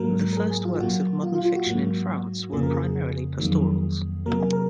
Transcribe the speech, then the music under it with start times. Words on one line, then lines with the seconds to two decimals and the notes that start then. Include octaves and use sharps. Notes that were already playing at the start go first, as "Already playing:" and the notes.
The first works of modern fiction in France were primarily pastorals.
Already playing: G#2 F#3 A#3 A#4
0.33 A#4
0.37 G#4
0.50 G#4
0.65 F4
0.80 A#2 F#3 A#3 F#4
1.23 F4
1.34 F4
1.45 F4
1.56 F#4
1.67 G#2 F#3 A#3
2.52 F2 C#3 F3 A#3 G#4
2.63 A#4
2.73 G#4
3.39 F2 D#3 F#3 A#3
4.26 C3 F#3 A#3 A#4
4.40 G#4
4.53 A#4